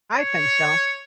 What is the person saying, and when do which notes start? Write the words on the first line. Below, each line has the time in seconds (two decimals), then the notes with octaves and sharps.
I think so.
0.16 C#5